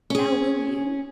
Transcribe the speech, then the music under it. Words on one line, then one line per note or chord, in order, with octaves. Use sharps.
Now, will you?'
C#4 G#4